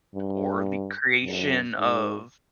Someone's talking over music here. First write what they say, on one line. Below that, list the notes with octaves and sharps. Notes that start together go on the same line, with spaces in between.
or the creation of,
G2
F#2
G#2